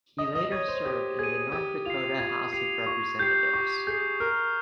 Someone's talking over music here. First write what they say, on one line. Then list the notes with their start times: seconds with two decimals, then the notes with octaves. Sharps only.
He later served in the North Dakota House of Representatives.
0.18 D#5 D#6
0.35 D#5
0.51 C#5 G#6 D#7
0.68 C5
0.85 G4 D#6
1.19 G#4 G#6 D#7
1.52 G4 G#6
1.86 F4 C7 F7
2.19 F4 G#6
2.53 G4 C7 F7
2.86 F4 C#6
3.19 G4 G6 C7
3.54 G4 C#6
3.87 G#4 G6 C7
4.20 A#4 F6